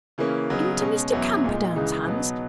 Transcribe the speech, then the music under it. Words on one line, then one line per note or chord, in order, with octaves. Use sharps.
"Into Mr. Camperdown's hands!"
C#3 E3 A#3 C#4
C#3 F#3 B3 D#4
B2 G#3 C#4
E2 B2 F#3 C#4 E4
A#2 G#3 D#4
C#2 C#3 E3 G#3 D#4
B2 F#3 B3 D#4